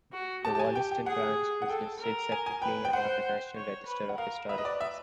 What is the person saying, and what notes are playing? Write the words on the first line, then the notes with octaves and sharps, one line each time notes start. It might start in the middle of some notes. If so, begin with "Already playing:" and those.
The Wollaston Branch is listed separately on the National Register of Historic Places.
F#4
G4 A5
A5
G#5
G5
G5
G#4 F#5
F#5
A4 G5
A#4
G#5
G#5
B4 G5
G5
C5 F#5
C#5
B4
F#5
A#4 F5
B4 E5
D#5
D5
E5